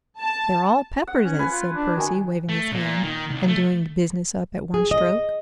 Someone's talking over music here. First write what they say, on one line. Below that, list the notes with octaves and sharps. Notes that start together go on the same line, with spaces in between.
"They're all Pepperses," said Percy, waving his hand, and doing the business up at one stroke.
A5
F#5
C#4
B4 G#5
F4
D4
D#3 F#4 G#5
A3
A#2
D#3
C2
A3
G#4
D#5